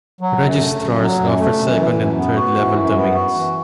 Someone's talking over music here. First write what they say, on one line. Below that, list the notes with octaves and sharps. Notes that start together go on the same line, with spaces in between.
Registrars offer second and third level domains.
F#3
F#2
A3
F#2
F#3
F#2
A3
F#2
E3
F#2
B3
F#4
E3
F#2
B3
F#4
E3